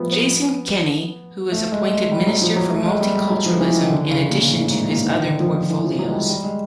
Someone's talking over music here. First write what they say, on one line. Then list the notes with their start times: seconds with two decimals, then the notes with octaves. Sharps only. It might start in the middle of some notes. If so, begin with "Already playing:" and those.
Jason Kenney who was appointed Minister for Multiculturalism in addition to his other portfolios.
Already playing: F3 G3 A3 B3
0.12 B3
1.52 A3
1.72 G#3
1.91 G#3
2.11 G3
2.27 F#3
2.42 F3
2.56 F#3
2.70 A3
2.85 G#3
3.00 G3
3.16 G3
3.30 F#3
3.46 F3
3.61 E3
3.76 D#3
3.90 D3
4.11 C#3
4.31 A#2
4.50 A2
4.70 G#2
4.90 A#2
5.05 E3
5.10 D#3
5.25 D3
5.40 F3
5.55 F3
5.70 E3
5.85 F3
5.99 F#3
6.07 G#3
6.14 G3
6.29 G3
6.44 G#3